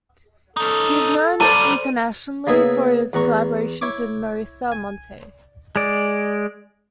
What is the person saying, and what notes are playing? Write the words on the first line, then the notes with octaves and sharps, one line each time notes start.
He is known internationally for his collaborations with Marisa Monte.
C#4 D#4 A4
F#3 G3 C5 D5 A5 D#7
C#3 A#3 B3 E4 G#4 E5
E2 F#5 A#5 C#6
E4 C#5 D6
G#5
G#3 D5